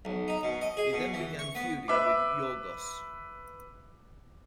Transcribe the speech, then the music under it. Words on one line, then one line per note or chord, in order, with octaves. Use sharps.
He then began feuding with Yorghos.
B1
D#4
B2
D#5
G#4
B2
E3
C#6
B3
B4 E5 D6